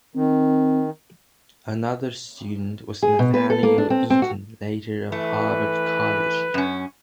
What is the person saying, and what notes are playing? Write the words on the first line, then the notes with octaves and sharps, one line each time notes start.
Another student was Nathaniel Eaton, later of Harvard College.
D#3 C4
G#4
B2
B4
A4
A#3
D4
C4
C4
F#4
E3 A3 B4
F#2 C#4